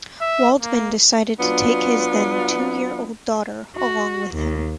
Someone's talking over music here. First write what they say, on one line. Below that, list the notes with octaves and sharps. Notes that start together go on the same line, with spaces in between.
Waldman decided to take his then two-year-old daughter along with him.
E5
A#3
F#3 B3 D4 F4
F#4
D#2